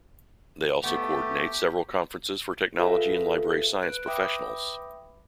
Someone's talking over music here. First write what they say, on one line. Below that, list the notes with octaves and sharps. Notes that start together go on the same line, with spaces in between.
They also coordinate several conferences for technology and library science professionals.
A3 B3 G4
F4 G#4 A4 B4 E5 F5
B4 F#6 D7
B4 E5 G5 B5 D6 D#6